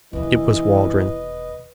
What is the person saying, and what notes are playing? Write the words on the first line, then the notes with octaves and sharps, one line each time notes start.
It was Waldron.
E1 D#2 E3 B4 D#5